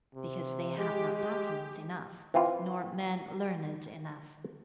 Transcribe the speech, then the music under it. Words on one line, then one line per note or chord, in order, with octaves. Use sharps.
Because they have not documents enough, nor men learned enough.
C3
G#3 G4
G4
E3 C4 F4